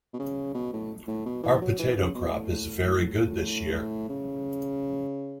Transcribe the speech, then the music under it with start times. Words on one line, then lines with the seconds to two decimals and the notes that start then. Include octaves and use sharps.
Our potato crop is very good this year.
0.14 B2
0.19 C#3
0.54 B2
0.73 A2
1.08 A2
1.26 B2
1.43 E3
1.62 F#3
1.79 E3
1.97 C#3
2.15 B2
2.32 A2
2.50 A2
4.09 C#3